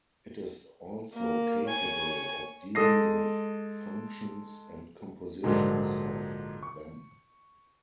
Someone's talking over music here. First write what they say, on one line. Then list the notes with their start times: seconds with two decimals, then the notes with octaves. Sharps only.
It is also capable of dealing with functions and compositions of them.
1.14 A#3
1.68 C#5 G#5
2.75 G#3 A4 D#6 A#6 C7
5.43 A#1 G#2 D3 F#3 G#3 A#3
6.63 C#6